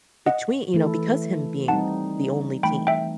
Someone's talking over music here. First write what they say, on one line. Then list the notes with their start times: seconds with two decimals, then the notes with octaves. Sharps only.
between you know, because him being the only teen.
0.26 D#5 F#5
0.74 E3 A3 E4 A4
1.68 G3 C4 D#4 F#5 A5
2.63 E3 A3 D#4 G5 B5
2.87 E5 G5